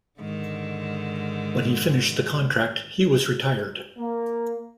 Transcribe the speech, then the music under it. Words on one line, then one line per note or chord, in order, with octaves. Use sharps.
When he finished the contract he was retired.
G#2 D3 D#3
A#3